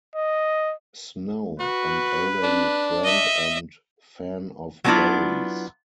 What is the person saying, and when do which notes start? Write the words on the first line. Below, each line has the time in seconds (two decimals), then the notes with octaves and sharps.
Snow, an elderly friend and fan of Barrie's.
0.15 D#5
1.60 F#4 B4
2.43 D4
3.04 D#5 E5
4.84 F#3 G#3 B3 D4 E4 F4